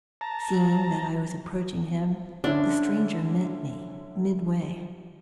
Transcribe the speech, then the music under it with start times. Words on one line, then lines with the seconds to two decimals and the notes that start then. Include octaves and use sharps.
Seeing that I was approaching him, the stranger met me midway.
0.21 A5 A#5
2.44 D3 C#4 D4 E4